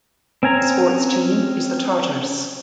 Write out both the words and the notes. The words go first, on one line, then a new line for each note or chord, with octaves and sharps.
The sports team is the Tartars.
C4 C#4 G#5 A#5